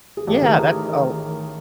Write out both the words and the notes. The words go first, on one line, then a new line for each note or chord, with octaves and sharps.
Yeah. That's Oh
G#4
A1 G4 A4
D#3 G#4 A#4
G#4 A#4